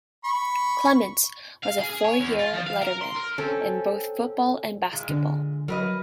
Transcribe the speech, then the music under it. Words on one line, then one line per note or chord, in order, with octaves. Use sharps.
Clements was a four-year letterman in both football and basketball.
B5 C#6
F5
G#4
G#4
C#5
E2
F4
F3
F5
A#4
C6
A#4
C4 C#4 A4
A#2 G#3
D3
F#3 A#4 B4 D#5